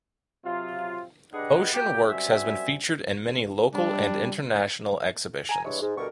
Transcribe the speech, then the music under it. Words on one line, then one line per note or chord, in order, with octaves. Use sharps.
Oshun works has been featured in many local and international exhibitions.
C3 F#3 C4 F4
D4 G4 G#4 B4 D#5 F#5
A#3 F#4 G4 G5
F#2 G3 C4 F#4 E5 G#5
G3 D4
G#5 A#5
G2 E3 G#3 C#5
G#2
D2 B2 G3 A4 A#4 C#6